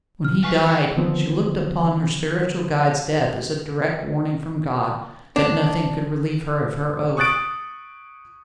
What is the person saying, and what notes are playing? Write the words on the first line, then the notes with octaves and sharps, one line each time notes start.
When he died, she looked upon her spiritual guide's death as a direct warning from God, that nothing could relieve her of her oath.
F6
E3 B4 G#5 C#6 C7
F2 F3
D3 D#3 F3 B3 C4
D4
C#6 D#6 F#6 A6 D7